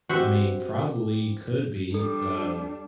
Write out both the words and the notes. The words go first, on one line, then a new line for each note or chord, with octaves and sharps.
I mean, probably, could be, uh,
F#3 C4 F#4 G4 C5 E5
G3 D4 A4